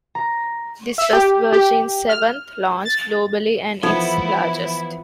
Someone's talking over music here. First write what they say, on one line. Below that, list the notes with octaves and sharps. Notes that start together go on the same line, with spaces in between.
This was Virgin's seventh launch globally and its largest.
A#5
E5
G4
G4
F6
A6
E3 F3 B3 D#4 E4 A4